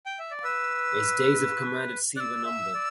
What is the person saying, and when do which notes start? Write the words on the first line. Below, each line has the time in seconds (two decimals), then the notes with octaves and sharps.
His days of command at sea were numbered.
0.06 G5
0.19 E5
0.31 D5
0.44 B4 E6
2.16 D5 F#6
2.20 E6
2.45 E5
2.74 D5